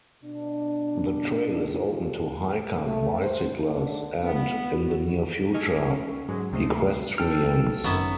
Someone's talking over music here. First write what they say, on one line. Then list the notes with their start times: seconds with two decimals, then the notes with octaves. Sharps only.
The trail is open to hikers, bicyclers, and, in the near future, equestrians.
0.24 B2 D4
1.67 A#2 D#3 G3 F4 G4 A4
2.85 A3
3.21 C5
3.70 D3
4.23 B3
4.73 F#4
5.54 A4 D#5 G#5 C#6 F6
5.84 C#4
6.29 G#2 F#3 G#3
6.52 D2 C3 A3 D#5 C7
7.18 A4 G5 F6
7.84 G#1 F#2 F#3 B3 E5